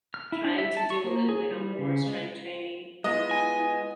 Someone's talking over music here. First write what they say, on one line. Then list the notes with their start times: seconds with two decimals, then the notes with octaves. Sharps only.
trying to do a little bit of more strength training
0.14 F6
0.32 E4
0.44 D4
0.58 E5
0.77 A5
0.90 C#6
1.04 A#3
1.29 G#4
1.51 G3
1.78 C#3
2.06 G#3
3.04 G#3 B3 E4 F4 D#5
3.31 G#5